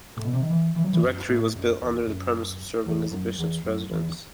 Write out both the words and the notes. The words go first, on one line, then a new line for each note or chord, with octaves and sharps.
The rectory was built under the premise of serving as a bishop's residence.
A2
B2
C3
D#3
E3
E3
F#3
E3
F#2
A2
F#2
E2
F#2
E2
F#2
E2
F#2
E2